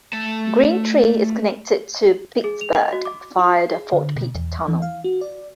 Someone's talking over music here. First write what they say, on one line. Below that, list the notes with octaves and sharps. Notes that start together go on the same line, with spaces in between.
Green Tree is connected to Pittsburgh via the Fort Pitt Tunnel.
A3 A5
G#4
F7
D#5
F#4
D6
F4
C7
G#4
D3
B2
E2
E3
F5
F#4
D5